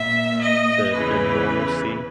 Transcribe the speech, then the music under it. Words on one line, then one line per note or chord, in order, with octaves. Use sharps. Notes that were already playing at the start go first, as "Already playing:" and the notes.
the the normalcy,
Already playing: A#2 E5
D#5
E2 C#3 E3 B4